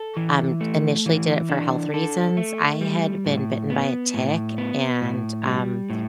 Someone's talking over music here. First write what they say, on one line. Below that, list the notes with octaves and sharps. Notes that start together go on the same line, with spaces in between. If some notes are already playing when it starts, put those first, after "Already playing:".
um, initially did it for health reasons. I had been bitten by a tick and, um,
Already playing: A4
E3
A3
E3
D4
A4
A3
G3
A2
B3
A2
B3
A2
G3
A2